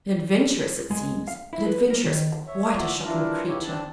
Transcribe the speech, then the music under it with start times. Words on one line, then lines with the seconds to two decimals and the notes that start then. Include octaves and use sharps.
An adventuress, it seems; an adventuress; quite a shocking creature.
0.91 G#3
1.28 F5
1.53 E4
1.66 B4
1.90 A#4
2.05 D#3
2.46 C#5 E5
2.75 F4 F#4 D5 E5
3.02 G2 E3 D4 E4 F4 A#4
3.46 G#2 C#3 E3 E4 G4 C#5
3.63 C4 D4 A5